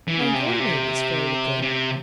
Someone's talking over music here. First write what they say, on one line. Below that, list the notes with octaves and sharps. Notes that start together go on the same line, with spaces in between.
Now, your name is fairly good.
E3
C#3
C3
A#2
C3
C3